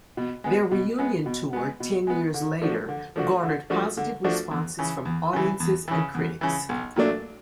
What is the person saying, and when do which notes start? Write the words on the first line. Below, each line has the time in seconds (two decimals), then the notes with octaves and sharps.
Their reunion tour ten years later garnered positive responses from audiences and critics.
0.17 B2
0.44 G#3 B3
0.71 B2
0.99 G#3 B3
1.26 B2
1.53 G#3 B3
1.80 B2
2.07 G#3 B3
2.34 D3
2.61 F3 A3 D4 F#4
2.89 D3
3.16 F3 A3 D4 F#4
3.43 D3
3.70 F3 A3 D4 F#4
3.97 D3
4.24 F3 A3 D4 F#4
4.51 E2
4.79 C#3 E3
5.05 E2
5.33 C#3 E3
5.60 E2
5.88 C#3 E3
6.15 E2
6.41 C#3 E3
6.69 B1
6.96 A#2 F#3 A3 D4